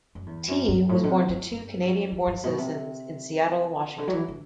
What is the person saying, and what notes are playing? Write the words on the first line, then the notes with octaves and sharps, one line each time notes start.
Tee was born to two Canadian-born citizens in Seattle, Washington.
F#2
E2
F#2
G2
A2
D3
C3
G2
G2
F#2
E2
G2
B2
C3
D3
F#3
E3
D3